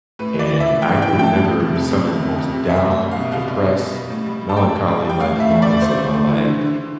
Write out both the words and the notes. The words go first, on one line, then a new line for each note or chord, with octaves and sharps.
And I can remember some of the most down, depressed, melancholy-like moments of my life
A2 B4
E3
D5
E3
E5
A2
E3 G5
E3 G5
A2
G5
A2 A5
F3
C3
F2
F2
F2
C3
F2
C3
C2 E5
A3
E5
C2
B2 F5
C2 F5
C2
B2
B2
G3
A2
G3
G3
A5
A2 G5
A2
G3
G3 G5
A3 F5
A2 E5
A3
A2 D5
A3 C5
A3
A3
E3
D3
D3
D3